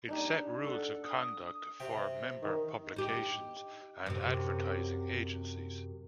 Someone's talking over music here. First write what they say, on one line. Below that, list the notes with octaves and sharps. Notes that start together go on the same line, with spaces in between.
It set rules of conduct for member publications and advertising agencies.
D4 D#4 G4
A4 F#5
D#6
C3 G5
D#3
D#4 G4
F#2 C3